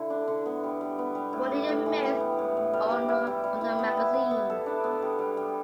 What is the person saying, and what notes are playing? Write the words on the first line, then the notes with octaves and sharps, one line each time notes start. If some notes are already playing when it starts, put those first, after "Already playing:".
Bonnier remains owner of the magazine.
Already playing: D3 E4 A4
D4
D3
B3
G3
G3
B3
G3
A2
G4
A2
E3
G3
B3
A2
A2
G3
G4
E4
G3
G3
E4
B3
E4
B3
B3
A4
D4
B3
G3
G3
G3